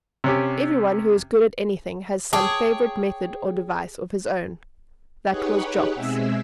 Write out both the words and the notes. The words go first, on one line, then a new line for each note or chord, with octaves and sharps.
Every one who is good at anything has some favourite method or device of his own: that was Jock's.
C3 C#4 G4
G#4 C#5 G5 A5 D6 D#6
D#4 G4 G#4 B4 C#5 F#5
B2 G#3 C4 E5 G#5 E6